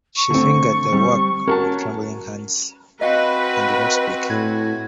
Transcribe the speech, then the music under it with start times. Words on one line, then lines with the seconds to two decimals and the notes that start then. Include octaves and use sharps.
She fingered the work with trembling hands, and did not speak.
0.17 C#6
0.30 D3 A3 C4
0.93 G3 C4
1.48 C#4 F#4 A#4 F#5 A5
3.01 C4 F#4 B4 D#5 F5 F#5
4.30 A2 G#6